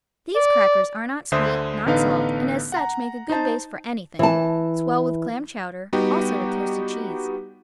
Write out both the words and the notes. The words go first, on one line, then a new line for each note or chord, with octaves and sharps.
These crackers are not sweet, not salt, and as such make a good base for anything--swell with clam chowder, also with toasted cheese....
D5
D2 D3 C5 E5 D#6
A1 D3 B3 D#4 B4 F5
F#5 A#5
D#4 C5 A5
E3 A5
G3 B3 D#4 F#4 G4